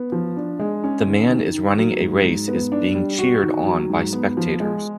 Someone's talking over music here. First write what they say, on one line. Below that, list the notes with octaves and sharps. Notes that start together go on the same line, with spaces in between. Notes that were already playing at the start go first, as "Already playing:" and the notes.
The man is running a race is being cheered on by spectators.
Already playing: B3
F3
D4
G#3
C#4
D#3
D#3
D#3
F#3
G#2
G#2
B3
D4
G3
F#4
D#3
F#3
G#2
B3
F3
G#3